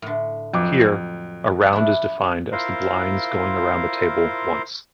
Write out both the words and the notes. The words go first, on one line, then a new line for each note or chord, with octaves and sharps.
Here, a round is defined as the blinds going around the table once.
A2 D3
F2 F#3 D6
D4 E4
E4 F4 A#4 C5 F5